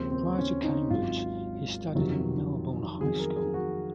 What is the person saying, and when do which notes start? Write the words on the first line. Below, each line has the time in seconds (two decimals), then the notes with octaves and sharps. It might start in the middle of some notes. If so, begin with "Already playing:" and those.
Prior to Cambridge he studied in Melbourne High School.
Already playing: D#2 C#3 F3 C4
0.11 C4
0.38 C#4
0.64 D#4
0.90 G#1 G#2 F#3 F4
1.95 F2 C3 D#3 F#3
3.00 F2 D#3 F#3 G#4
3.19 A#4
3.36 G#4
3.54 F#4